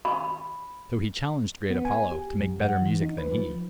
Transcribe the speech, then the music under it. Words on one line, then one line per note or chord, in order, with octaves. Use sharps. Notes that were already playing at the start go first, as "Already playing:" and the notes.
So he challenged great Apollo to make better music than he.
B5
B3
G#5
G4
F#2
F#5
E3
D#4
B4
F3